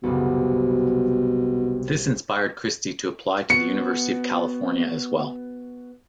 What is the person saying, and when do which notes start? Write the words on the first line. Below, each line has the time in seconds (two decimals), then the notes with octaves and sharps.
This inspired Christy to apply to the University of California as well.
0.03 F#1 C2 B2
3.50 B3 F#4 C#7